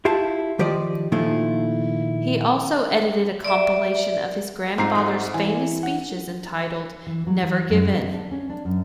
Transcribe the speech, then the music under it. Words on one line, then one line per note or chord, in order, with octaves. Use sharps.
He also edited a compilation of his grandfather's famous speeches entitled "Never Give In".
E4 F4 G4 F5 A5
D#3 F3 G4 C5 D5 D#5
A#2 D#3 F3 A3 E4 F4
D5 E5
G#2 C4 F4 A#5 C7
A3 F#4
E3 G#5
F#5
E3
F#3
E3
F#2
B3
D4
C#4
D4
F#2